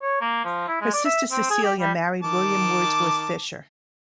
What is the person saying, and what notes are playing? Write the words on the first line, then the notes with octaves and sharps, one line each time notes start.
Her sister Cecilia married William Wordsworth Fisher.
C#5
A#3
F3
E4
G#3
D5
E5
C4
G#4
G4
G3
D#3 A5 D6